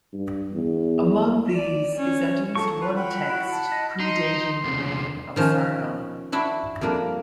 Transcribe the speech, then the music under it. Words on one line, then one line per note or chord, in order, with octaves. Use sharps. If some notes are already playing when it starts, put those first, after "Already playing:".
Among these is at least one text predating the reign of Sargon.
G2
E2
D5
C#4
F3 F#3 A4 A5 C#6
F4 B4
F#5 G5 B5
E4 F#4
A5
D#5
D#4 C6
E2 C3
D#3 F3 C#4
D4 E4 F#4
F2 G3 A#3 D4